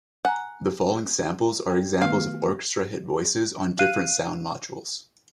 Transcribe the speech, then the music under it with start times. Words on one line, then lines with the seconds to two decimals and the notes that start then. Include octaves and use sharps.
The following samples are examples of orchestra hit voices on different sound modules.
0.25 F#5 G#5 A#5
1.70 G5
2.02 D#3 A3 B3 F5
3.79 F5 F#6 D#7